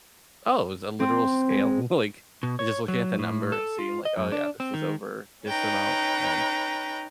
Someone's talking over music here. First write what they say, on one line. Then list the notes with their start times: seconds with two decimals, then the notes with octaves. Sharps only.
Oh, it was a literal scale. Like, you're just looking at the number and seeing, like, "Oh, yeah, this is over this amount." And,
1.00 C4
1.50 G#3
2.43 B2
2.59 C#5
2.88 F#3
3.19 A2
3.52 A4
3.79 F4
4.05 D#5
4.17 F#2
4.32 D4
4.60 C4
4.74 D#3
5.46 C#4 D#4 B4 G5 A#5